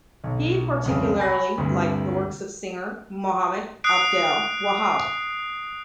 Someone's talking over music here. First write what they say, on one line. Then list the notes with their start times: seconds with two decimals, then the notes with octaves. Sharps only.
He particularly liked the works of singer Mohammed Abdel Wahab.
0.24 B1
0.86 C2 F2 C#3
1.18 G#5 B5 A#6
1.58 D2 G2 C3
3.84 D#6 F#6 C7 D7